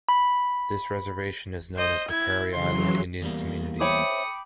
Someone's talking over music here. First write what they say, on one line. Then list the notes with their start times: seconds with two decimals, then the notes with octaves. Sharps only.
This reservation is known as the Prairie Island Indian Community.
0.09 B5
1.76 C5 D#5
2.08 E4 G#6
2.53 C#3 E3 F#3 C6
3.22 E2 G3 A#3
3.81 C5 C#5 E5 G5 B5 D6 D#6 C#7